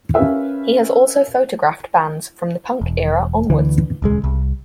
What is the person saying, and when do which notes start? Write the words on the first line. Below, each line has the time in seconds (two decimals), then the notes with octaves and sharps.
He has also photographed bands from the punk era onwards.
0.14 C#4 G4 A#4 B4 E5 F5
2.81 E1
3.50 D2 D3 E3
4.02 D#1 C#2 G#3
4.24 C2